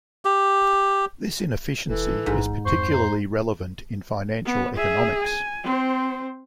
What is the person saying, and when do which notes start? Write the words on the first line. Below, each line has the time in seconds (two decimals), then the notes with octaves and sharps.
This inefficiency is particularly relevant in financial economics.
0.25 G4
1.88 E1 E3 A4
2.26 A1 G#2
2.66 F2 C5 C#6
2.93 A#5
4.45 B3
4.76 G#4 E5
5.23 G#5
5.63 C4 C5